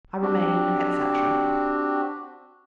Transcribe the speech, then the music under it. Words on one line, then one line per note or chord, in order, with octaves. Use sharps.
I remain, etc.
C4 D4 F#4 G4